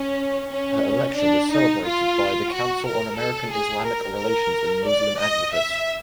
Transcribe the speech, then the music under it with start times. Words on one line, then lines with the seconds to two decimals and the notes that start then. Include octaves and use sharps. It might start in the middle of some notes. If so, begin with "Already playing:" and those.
Her election was celebrated by the Council on American–Islamic Relations and Muslim Advocates.
Already playing: C#4
0.51 C#4
1.18 D4
1.51 D#4
1.85 F4
2.53 F#4
2.86 A#4
3.18 A4
3.52 G#4
3.86 A#4
4.19 A#4
4.87 D5
5.20 D#5
5.53 E5